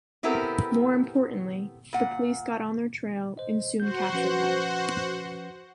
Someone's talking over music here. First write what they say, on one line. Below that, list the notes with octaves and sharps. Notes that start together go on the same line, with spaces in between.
More importantly, the police got on their trail and soon captured them.
B3 C4 E4 G4 A4 A#4
A#2 F#5
C5 D#5
F#4 C5 F#5 G6
F3 C#4 B4